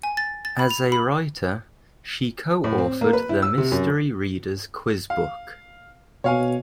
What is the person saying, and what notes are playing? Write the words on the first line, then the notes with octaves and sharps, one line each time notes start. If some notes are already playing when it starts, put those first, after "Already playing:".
As a writer, she coauthored "The Mystery Reader's Quiz Book".
G#5
A6
A6
B5
F7
B5
A2
C4
A#3
B4
E4
E6
C3
F#2
F5
B2 C#5 F5 G#5